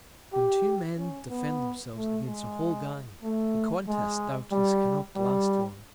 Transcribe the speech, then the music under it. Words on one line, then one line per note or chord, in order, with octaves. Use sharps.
When two Men defend themselves against a whole Gang, the Contest, doubtless, cannot last long.
G4
C#4
B3
A3
G#3
A3
G#3
G3
G3